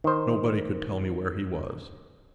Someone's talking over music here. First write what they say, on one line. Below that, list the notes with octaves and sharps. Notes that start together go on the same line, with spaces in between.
Nobody could tell me where he was.
D#3 C5